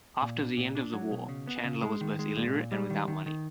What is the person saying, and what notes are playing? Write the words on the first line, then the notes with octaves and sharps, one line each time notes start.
After the end of the war, Chandler was both illiterate and without money.
A#2
D4
A#2
D4
F#3
B2
C#3
B3
C#3
G#3
D#3
G#3
A#2
A#2
G3
D#3
D#3
D#3